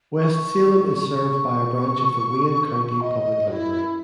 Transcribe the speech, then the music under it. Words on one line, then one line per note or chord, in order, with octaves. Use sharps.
West Salem is served by a branch of the Wayne County Public Library.
C#6
C#6
D#5
F#4
E4